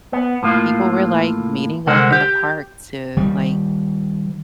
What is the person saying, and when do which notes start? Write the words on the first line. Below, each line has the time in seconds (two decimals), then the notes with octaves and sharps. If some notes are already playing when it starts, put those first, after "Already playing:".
people were, like, meeting up in the park to, like,
0.13 B3
0.43 A2 A#3 F4
1.87 C2 D3 G#3 A#4 C5 F#5
2.12 G4
3.17 D#3 G3